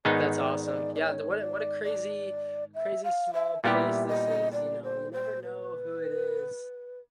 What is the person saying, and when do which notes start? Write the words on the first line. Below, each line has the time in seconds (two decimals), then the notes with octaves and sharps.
That's awesome. Yeah, the what a what a crazy crazy small place this is, you know. You never know who it is.
0.05 G#2 D#3 G#3 B3 D#4 D5
0.35 D5
0.64 D5
0.95 D5
0.99 C#5
1.40 D5
1.84 D5
2.74 E5
3.04 F5
3.33 E5
3.63 A#2 G3 B3 E4 G4 E5 F5
4.08 D#5
4.53 D5
4.84 C5
5.13 C5
5.43 B4